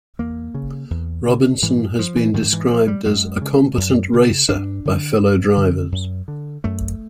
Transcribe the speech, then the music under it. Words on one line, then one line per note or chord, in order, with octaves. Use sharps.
Robinson has been described as "a competent racer" by fellow drivers.
E2 A#3
C#3
E2
C#3
G#2 E3
F3
E3
G#2 D#3
E3
F3
G3
F#2 G#3
C#3
F#2
C#3
G2 D4
D3
G2
D3
F#2
D3
F#2 A3